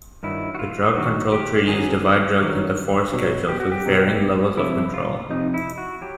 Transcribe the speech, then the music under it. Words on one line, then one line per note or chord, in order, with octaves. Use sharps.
The drug control treaties divide drugs into four Schedules with varying levels of control.
G2 D#3 F#3 E4
F#4
F4
G2 D#3 F#3 F#4
G4
F#2 D#3 F#3 G#4
F#2 D#3 F#3
B2 F#3
G4
F#4
G4
B2 F#3
F2 C3 F3 E4
F4
F2 C3 F3 D#4
E4
F#4
F#3 G4